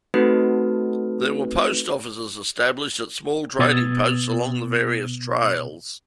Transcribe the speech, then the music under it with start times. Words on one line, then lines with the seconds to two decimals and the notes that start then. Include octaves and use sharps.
There were post offices established at small trading posts along the various trails.
0.14 A3 C4 D#4 F#4 A4 B4
3.59 B2 B3 D#6 E6 G#6 A6